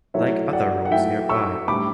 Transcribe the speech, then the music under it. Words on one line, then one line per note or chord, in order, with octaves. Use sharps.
Like other roads nearby.
F#3 A3 E4 C#5 E5
D5 F#5
F#5
F#3 A3 E4 E5 G5
C#6 E6
A2 G3 D4 B5 D6